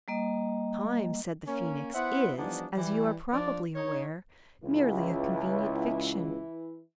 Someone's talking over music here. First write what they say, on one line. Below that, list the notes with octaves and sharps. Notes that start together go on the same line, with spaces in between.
'Time,' said the Phoenix, 'is, as you are probably aware, merely a convenient fiction.
G3 A#3 D#5
A#3 C#4
B3 E4 C5 E5 F#5
E3 F3 G3 B3 D4 D#4
E3 G3
F3 D4 D5
D#4 C#5
C#2 E3 E4